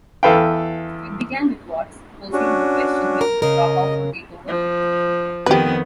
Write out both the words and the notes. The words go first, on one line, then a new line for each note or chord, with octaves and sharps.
It began with Watts posing the question Whether to drop out or take over?
E2 A4 B4 F5 G5
C#4 D4 F#4
A#4
C#3 A#4 D#5
F3
F2 D#3 B3 G4 B4